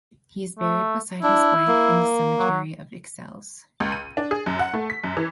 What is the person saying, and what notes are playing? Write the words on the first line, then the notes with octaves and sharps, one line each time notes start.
He is buried beside his wife in the cemetery of Ixelles.
A3
D4 E4
A#3
F#3
C#2
D#7
D4
G#4
F#2
F#5
A3
B6
F#2
E3